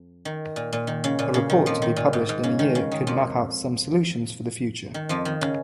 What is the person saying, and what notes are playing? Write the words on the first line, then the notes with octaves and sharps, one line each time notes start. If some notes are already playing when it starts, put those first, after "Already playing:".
A report to be published in a year could map out some solutions for the future.
Already playing: F2
D#3
A#2
A#2
D#3
C#3
A#2
C#3
D#3
F2 F3
D#3
A#2
G#2
G#2
C#3
D#3
C#3
D#3
F2 F3
D#3
F2 F3
D#3
C#3